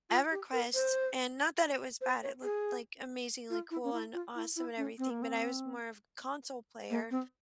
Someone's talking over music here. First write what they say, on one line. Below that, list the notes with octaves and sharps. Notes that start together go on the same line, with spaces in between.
EverQuest and not that it was bad. It looked, like, amazingly cool and awesome and everything, but I was more of a console player.
F4
G4
A#4
C5
C5
C#5
G#4
F4
E4
C#4
E4
F4
E4
E4
C#4
C4
A#3
C4
A#3
C4